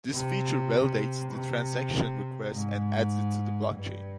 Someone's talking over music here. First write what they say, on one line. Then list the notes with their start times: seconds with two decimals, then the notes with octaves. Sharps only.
This feature validates the transaction request and adds it to the blockchain.
0.13 C3
1.33 C3
2.54 G#2
3.73 G2